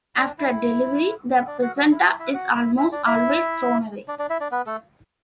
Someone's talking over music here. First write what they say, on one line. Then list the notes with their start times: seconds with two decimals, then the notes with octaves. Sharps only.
After delivery, the placenta is almost always thrown away.
0.17 D4
0.38 E4
1.47 D4 D5
1.62 F#4 F#5
1.76 F#3 F#4
1.91 E4
2.05 E4
2.19 E4 E5
2.34 F#4 F#5
2.56 E4 E5
2.77 E4 E5
2.92 D4 D5
3.07 E4 E5
4.08 D4 D5
4.19 D4 D5
4.30 E4 E5
4.40 D4 D5
4.51 B3 B4
4.66 A3 A4